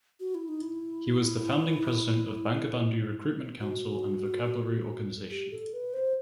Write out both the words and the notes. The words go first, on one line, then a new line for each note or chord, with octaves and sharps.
He was the founding president of Bangabandhu Recruitment Council and vocabulary organization.
F#4
E4
D#4
E4
F#4
G4
A4
B4
C5